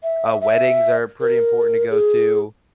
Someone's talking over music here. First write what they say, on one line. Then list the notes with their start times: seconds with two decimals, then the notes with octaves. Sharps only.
uh, weddings are pretty important to go to.
0.03 E5
0.41 E5
1.21 A#4
1.91 G#4